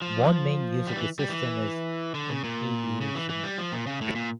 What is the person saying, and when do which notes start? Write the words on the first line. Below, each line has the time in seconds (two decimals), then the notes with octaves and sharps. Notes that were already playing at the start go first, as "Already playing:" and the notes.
One main use of the system is in aviation.
0.02 F3
0.87 G3
0.97 E3
1.19 G3
1.29 E3
2.15 D3
2.30 C#3
2.44 A#2
3.01 C#3
3.15 E3
3.29 E3
3.44 G3
3.58 F3
3.72 A#2
3.87 C#3
4.01 A2
4.15 A#2